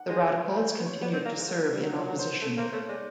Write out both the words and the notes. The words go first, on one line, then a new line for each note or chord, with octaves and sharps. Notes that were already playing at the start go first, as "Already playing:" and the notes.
The Radicals continued to serve in opposition.
Already playing: F#5
G#3 C5
C#5
C#5
A3 C5
C#5
B3
C#5
B3 D5
C4
A#3
G#3
F#3
G3
F#3
F3 C#5
F#3
C5
A3
A#3 C5
A3 C#5
G#3 D5